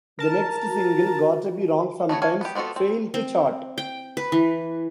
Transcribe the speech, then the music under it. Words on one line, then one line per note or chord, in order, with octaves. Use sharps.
The next single, "Gotta Be Wrong Sometimes", failed to chart.
A#4 A5
F#4
A3 B3 F#4 C#5
D4 C#5 F5 G#5
B3 G4
B3 C4 F4 F#4 A4
C4
C4
G5
B4
E3